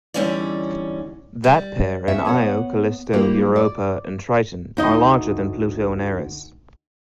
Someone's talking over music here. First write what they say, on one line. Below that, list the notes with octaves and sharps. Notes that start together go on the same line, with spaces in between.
That pair and Io, Callisto, Europa, and Triton, are larger than Pluto and Eris.
E2 D3 G3 C#4 D#4 D5
G3
G#2 C#4 E5
B3 C#5 F#5
G3 A#3 E4 F4 G4
D5
D2 D#4 D#5